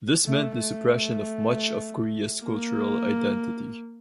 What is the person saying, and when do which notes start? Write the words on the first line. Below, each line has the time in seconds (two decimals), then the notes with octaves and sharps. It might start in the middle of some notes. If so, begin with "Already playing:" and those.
This meant the suppression of much of Korea's cultural identity.
0.25 A3
0.60 A3
2.44 A#3